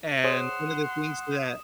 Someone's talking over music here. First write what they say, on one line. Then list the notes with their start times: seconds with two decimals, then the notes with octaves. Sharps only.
and, one of the things that
0.24 G#4 C5 C#5 F#5 C6 D#6 E7